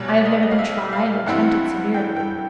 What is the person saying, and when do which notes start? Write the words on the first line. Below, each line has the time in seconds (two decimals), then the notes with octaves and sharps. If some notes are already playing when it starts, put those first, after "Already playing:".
I have never been tried or tempted severely.
Already playing: B1 B2 G3 C#5
0.08 D5
0.25 D#5
0.43 D#5
0.51 F5
0.59 E5
0.93 F5
1.26 G2 E3 G3 C4 E4 F#5
1.94 G5
2.16 G5